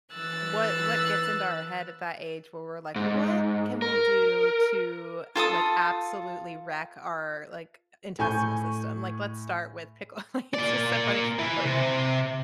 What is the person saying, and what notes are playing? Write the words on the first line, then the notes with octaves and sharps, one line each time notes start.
what what gets into our head at that age where we're like, "What can we do to, uh, like, absolutely wreck our, like, intestinal system? Like, let's start with pickle" Like, it's just so funny, like
E3 E6 F#6 A6
G#2
A#4
F4 A4 A5 D#6
A2 G#5 C#6 G6
A#3 D5
E3
C3